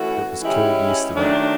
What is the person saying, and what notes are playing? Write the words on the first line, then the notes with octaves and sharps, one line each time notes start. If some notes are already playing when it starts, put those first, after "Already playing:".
It was killed yesterday.
Already playing: E3 A3 C#4 F#4
E3 G#3 C#4 E4 G4
D#3 F#3 A3 D4